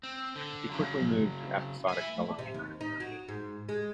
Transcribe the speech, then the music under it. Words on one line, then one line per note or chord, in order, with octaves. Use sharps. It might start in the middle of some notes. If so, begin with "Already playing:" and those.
He quickly moved to episodic television.
C4
D3
C#3 F#3
E5 G#5
C3
D#2
D#4
F#3
G#2
G#3